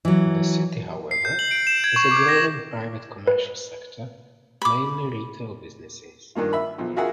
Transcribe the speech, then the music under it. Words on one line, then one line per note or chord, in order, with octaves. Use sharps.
The city however, has a growing private commercial sector, mainly retail businesses.
E3 F#3
C7
G6
F#7
D7
E7
G#6
C#6
D6
A#6
B4
B5 D6
G2 D#3 A#3 F4
E5 B5
B1 F3
F4 F#4 G#4 A#4 E5 F#5